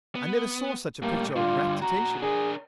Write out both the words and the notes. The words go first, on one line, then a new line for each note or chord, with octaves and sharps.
I never saw such a picture of rapt attention.
B3
A2 G3 A#3
G2 D3 F4
A#2 F#4 A#5
D4 G#4 A#4